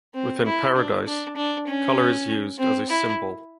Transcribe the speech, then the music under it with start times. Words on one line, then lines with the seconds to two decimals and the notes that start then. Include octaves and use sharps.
Within Paradise, color is used as a symbol.
0.14 C4
0.45 E4
0.75 D4
1.06 D4
1.36 D4
1.67 C#4
2.58 C4
2.89 E4